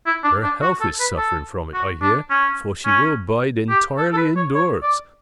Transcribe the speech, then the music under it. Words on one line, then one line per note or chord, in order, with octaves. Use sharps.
Her health is suffering from it, I hear, for she will bide entirely indoors.
E4
D4
D4
F#4
A4
B4
A4
F#4
D4
C#4
C#4
G4
A4
A4
B4
C#5
C#5
D5